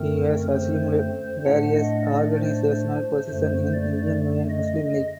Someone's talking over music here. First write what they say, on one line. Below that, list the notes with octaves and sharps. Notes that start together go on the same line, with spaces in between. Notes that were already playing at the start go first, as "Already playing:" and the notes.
He has assumed various organisational positions in Indian Union Muslim League.
Already playing: F#2 D3 A3 C4 A#4
C5
A2 A3 D4 F#5
D#5
D5
C5
F#2 D3 A3 C5
D5
D#5
D#5